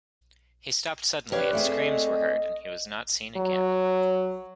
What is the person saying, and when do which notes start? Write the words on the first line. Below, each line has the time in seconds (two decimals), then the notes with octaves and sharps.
He stopped suddenly, and screams were heard, and he was not seen again.
1.32 D4 G4 B4 C#5 F5
1.53 A3 C4 G#4 E5
1.77 D#5
3.37 F#3